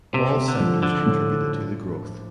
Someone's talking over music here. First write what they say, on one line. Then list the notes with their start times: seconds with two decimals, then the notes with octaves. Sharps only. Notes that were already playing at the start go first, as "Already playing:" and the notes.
All sectors contributed to the growth.
0.13 C3 C4
0.37 C4
0.48 D3
0.60 F3
0.82 D3 D4
1.06 A2